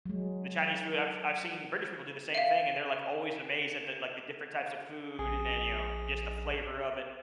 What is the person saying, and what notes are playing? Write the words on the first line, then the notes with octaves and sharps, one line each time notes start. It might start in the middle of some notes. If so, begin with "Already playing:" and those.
the Chinese food, I've I've seen British people do the same thing and they're, like, always amazed at the, like, the different types of food and then, you know, just the flavor of it,
F#3 G#3
E5 F5
A#1 G#4